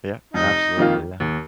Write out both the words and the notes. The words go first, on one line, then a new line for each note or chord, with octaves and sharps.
Yeah. Absolutely. Yeah.
F1 D#4
F2 D#3 A#3 F4
D#2